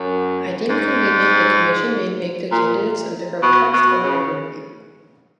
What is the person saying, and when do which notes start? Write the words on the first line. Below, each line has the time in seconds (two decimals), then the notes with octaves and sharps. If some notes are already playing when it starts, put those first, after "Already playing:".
I deemed convenient, the Commission may make the candidates undergo a text or an interview.
Already playing: F#2
0.69 G#2
2.52 A#2
3.43 B2
3.73 B2
4.03 C#3